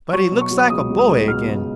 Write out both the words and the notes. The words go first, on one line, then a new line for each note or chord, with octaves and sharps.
But he looks like a boy again!
F#3 C#6
B2
C#6
F#3
C#2 D#6
C#2
D#6
C#2
B2 F6
C#2